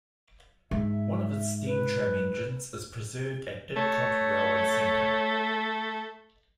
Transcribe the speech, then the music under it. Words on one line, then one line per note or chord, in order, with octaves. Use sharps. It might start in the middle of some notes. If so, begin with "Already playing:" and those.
One of its steam tram engines is preserved at Didcot Railway Centre.
G#2 E5
B4
A3 C#5